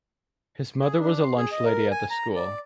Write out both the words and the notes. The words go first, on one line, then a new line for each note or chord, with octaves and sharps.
His mother was a lunch lady at the school.
G#4
D4
C6
G#4
D#5
A#4
G#5
A#5
D5